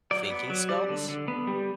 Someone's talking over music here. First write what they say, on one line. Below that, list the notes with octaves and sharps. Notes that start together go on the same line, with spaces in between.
"thinking spells"?
F#3 D5
B3
F#3
G3 D5
D3
D3
B3
G3